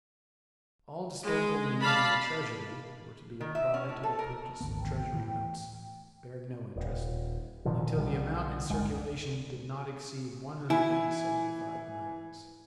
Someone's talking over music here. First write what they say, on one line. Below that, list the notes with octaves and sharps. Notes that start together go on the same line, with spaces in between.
All disposable means in the Treasury were to be applied to the purchase of Treasury notes, bearing no interest, until the amount in circulation did not exceed one hundred and seventy-five millions.
G#3
D5 F5 A5 B5
D#3
E5
C#4
A2
A4
A#4
G#1 D2 B3
G5
A2 E3
D#1
A#2 D3 D#3 F3
B1 D3 F#3 G3
G1 C#2 G#3
E3 E4 G#5